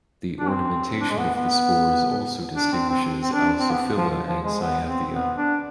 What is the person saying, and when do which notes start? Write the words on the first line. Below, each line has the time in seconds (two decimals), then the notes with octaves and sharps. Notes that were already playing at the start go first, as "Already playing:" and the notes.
The ornamentation of the spores also distinguishes "Alsophila" and "Cyathea".
0.39 D4
0.49 C4
1.01 D4
1.10 G#3
1.18 B3
1.35 B3
2.56 D4
2.72 C4
2.89 C4
3.22 C4
3.33 D4
3.59 C4
3.71 B3
3.97 F3
4.09 F3
4.27 F3
4.44 G#3
4.61 B3
4.86 C4
5.12 B3
5.38 D4